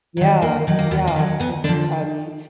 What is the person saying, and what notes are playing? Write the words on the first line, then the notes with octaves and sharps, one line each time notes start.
Yeah, yeah, it's um,
D#3 F#3
D#2 A#3
D#3 F#3
A#3
D#2 B3
A#3
D#3 F#3
D2 B3
D3 F3 D4